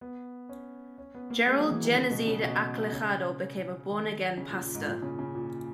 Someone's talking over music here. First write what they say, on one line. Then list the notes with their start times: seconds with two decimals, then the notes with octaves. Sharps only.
Gerald "Genezide" Acelajado became a Born-Again Pastor.
0.01 B3
0.49 C#4
0.98 C#4
1.15 B3
1.30 A#3
1.47 G#3
1.58 F#3
1.71 E3
1.83 D#3
1.95 C#3
2.11 B2
2.27 C#3
2.43 B2
2.92 C#3
3.90 D#3
4.37 C#3
4.50 A#2
4.62 A#2
4.75 G#2
4.86 A#2
5.02 C#3
5.19 C#3
5.35 A#2